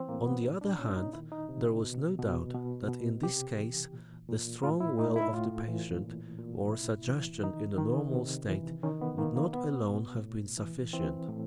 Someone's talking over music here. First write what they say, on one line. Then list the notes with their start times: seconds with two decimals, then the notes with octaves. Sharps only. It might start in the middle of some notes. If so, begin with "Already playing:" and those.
On the other hand, there was no doubt that in this case the strong will of the patient or suggestion in a normal state would not alone have been sufficient.
Already playing: E3 C4
0.08 A2 A#3
0.26 B3
0.44 A#2 D#4
0.61 D4
0.78 A#2 C#4
0.96 D#4
1.13 D#3 E4
1.32 D#4
1.49 C3
1.84 B2
2.19 B2
2.54 B2
2.89 B2
3.23 C3 G4
3.58 E3
3.94 A#2
4.29 A#2
4.63 A2 F4
4.80 E4
4.99 A2 D#4
5.16 E4
5.33 A2 F4
5.68 E3
6.04 A#2
6.38 A#2
6.73 C3 E4
7.09 E3
7.43 D#3 D#4
7.78 D#3
8.14 C3
8.49 E3
8.83 D#3 C#4
9.01 B3
9.18 D#3 A#3
9.36 A#3
9.53 B2 B3
9.89 B2
10.23 A2
10.58 E3
10.93 E3 C4
11.28 A2